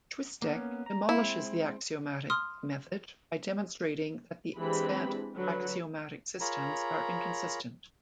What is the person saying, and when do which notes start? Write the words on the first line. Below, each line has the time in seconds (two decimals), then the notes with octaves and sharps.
Chwistek demolishes the axiomatic method by demonstrating that the extant axiomatic systems are inconsistent.
0.42 A#3 B3 C#4
0.86 A#5
1.09 G#3 C4 E4
2.30 C6 D#6 F6
4.58 E3 G#3 C4 D4 G4 B5
5.35 D3 F#3 B4
6.41 F4 G#4 A#4 C#5 A#5 B5